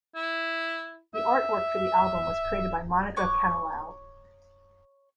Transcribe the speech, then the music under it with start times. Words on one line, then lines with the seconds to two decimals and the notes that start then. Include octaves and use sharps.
The artwork for the album was created by Monica Canilao.
0.15 E4
1.15 E5
3.17 C#5 C#6 D6 F#6